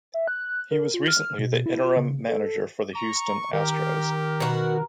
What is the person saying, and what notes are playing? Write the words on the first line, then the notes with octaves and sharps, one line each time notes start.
He was recently the interim manager for the Houston Astros.
E5
F#6
A#4
F4
F6
B2
E4
F4
C#3
A4
A#5 C#6
D#3 G4 A#4
B2 F#4